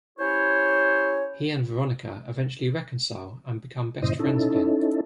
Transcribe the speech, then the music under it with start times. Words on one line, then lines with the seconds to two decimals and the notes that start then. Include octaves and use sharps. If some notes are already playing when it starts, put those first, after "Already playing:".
He and Veronica eventually reconcile and become best friends again.
0.18 C#4 E4 G4 C5 C#5
4.02 G2 A#2 C#3 E4 C5 D#5
4.19 C#4 D#4 E4 A4